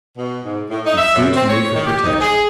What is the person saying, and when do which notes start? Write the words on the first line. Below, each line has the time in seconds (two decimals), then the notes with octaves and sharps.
She flew to me for protection.
0.17 B2
0.43 G#2
0.70 A2
0.86 D#4
0.97 E5
1.15 F#2
1.35 C4
1.49 C#5
1.74 D#3
1.86 G4
2.04 D#4
2.21 G#4